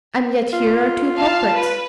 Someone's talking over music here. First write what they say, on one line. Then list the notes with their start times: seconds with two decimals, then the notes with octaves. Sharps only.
"And yet here are two culprits."
0.53 F4
1.16 F5 A5
1.54 B4